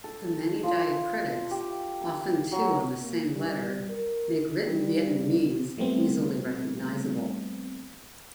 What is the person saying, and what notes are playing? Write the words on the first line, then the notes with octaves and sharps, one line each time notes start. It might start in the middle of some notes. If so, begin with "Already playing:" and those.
The many diacritics, often two on the same letter, make written Vietnamese easily recognizable.
A4
F3
G4
F#3
A#3
G3
A#4
G3
F3 G3 A3 B3 C4